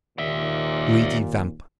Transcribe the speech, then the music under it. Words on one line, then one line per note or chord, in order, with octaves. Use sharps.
Luigi Vampa.
D#2 A#2 D5 E5